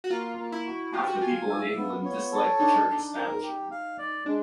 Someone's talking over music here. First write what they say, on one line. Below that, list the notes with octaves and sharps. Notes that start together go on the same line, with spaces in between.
Half the people in England dislike the church establishment.
F#4
A#3 F4
A#3
E4
F#4
F4 G4
F#4
F4 G#5
E5
B3
C#5
A4
D4 D#4
D4
A#4
G4
F5
D5
G#3 D4